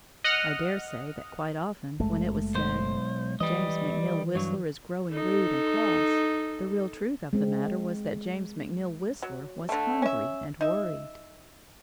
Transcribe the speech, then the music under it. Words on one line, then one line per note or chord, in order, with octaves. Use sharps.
I dare say that quite often when it was said: "James McNeill Whistler is growing rude and cross," the real truth of the matter was that James McNeill Whistler was hungry and worried.
D#5 F#5 D#6 F6
F#1 G#3 A3
B1 C5
E3 G3 D#5
G2 F#3
D#4 A4
G#3 C4
F#3
D3 A3
C#4 E5
D#4 E5